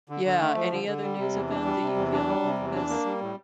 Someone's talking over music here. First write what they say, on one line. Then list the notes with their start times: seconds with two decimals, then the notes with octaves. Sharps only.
yeah, any other news event that you feel has
0.09 D3
0.25 D3
0.40 A3
0.55 F3
0.72 D3
0.87 D3
1.02 G3
1.18 C3
1.34 E2
1.49 D4
1.65 G3
1.81 C3
1.96 E2
2.12 D4
2.27 G3
2.43 C3
2.58 E2
2.74 D4
2.90 A#3
3.05 G3
3.21 A2